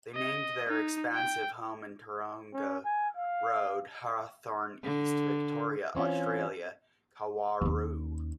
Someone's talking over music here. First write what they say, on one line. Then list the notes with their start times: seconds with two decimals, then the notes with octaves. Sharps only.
They named their expansive home in Tooronga Road, Hawthorn East, Victoria, Australia; "Kawarau".
0.15 D#5
0.69 D#4
1.14 G5
2.53 C#4
2.85 G#5
3.17 F5
4.83 D3
5.95 E3 C4 C#4 F4
7.61 D#2 C#4